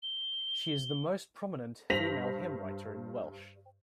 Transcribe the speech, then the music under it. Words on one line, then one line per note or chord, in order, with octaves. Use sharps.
She is the most prominent female hymn-writer in Welsh.
G7
G2 C5 A#6 B6 F7 F#7